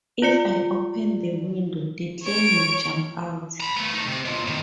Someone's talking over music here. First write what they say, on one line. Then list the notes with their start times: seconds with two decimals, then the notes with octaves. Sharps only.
If I open the window, Declan will jump out.
0.22 F4 D5 C#7
2.23 C#5 D7
3.60 A#5 B5
3.76 A3 B3
3.94 A3 D#4
4.07 C3
4.25 B2 F3
4.47 A2 D#3